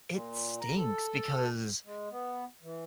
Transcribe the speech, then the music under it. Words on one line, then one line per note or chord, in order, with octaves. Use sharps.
It stinks because
A#2
A#5
A4
G#3
B3
E3